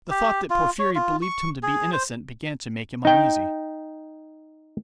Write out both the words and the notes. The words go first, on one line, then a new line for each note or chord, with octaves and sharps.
The thought that Porfiry believed him to be innocent began to make him uneasy.
G4
F4
C#5
F4
C#6
G#4
C5
D#4 G5